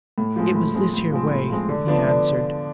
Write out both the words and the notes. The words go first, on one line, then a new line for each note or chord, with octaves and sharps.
"It was this here way," he answered.
A2
F3 G#3 C4
A2
F3 G#3 C4
A2
F3 G#3 C4
A2
F3 G#3 C4
D3
F3 B3 D4
D3